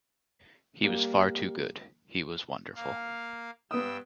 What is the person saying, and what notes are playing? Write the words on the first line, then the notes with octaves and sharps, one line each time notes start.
He was far too good, he was wonderful.
G3 A#3
A#3 F5
G2 B3 G5 D#6 E6